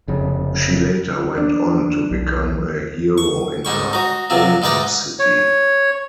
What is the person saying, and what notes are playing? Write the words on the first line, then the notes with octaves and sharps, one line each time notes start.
She later went on to become a hero in her own city.
F1 C#3
D4
B1
C#6
G#2 G3 C#6
D#4 F#4
C3 F3 F#3
D2 G#2 D#4 B4 D5
C#5